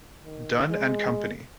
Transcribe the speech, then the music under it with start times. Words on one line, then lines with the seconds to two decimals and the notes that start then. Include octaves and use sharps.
Dun and Company.
0.24 D#3
0.70 G#3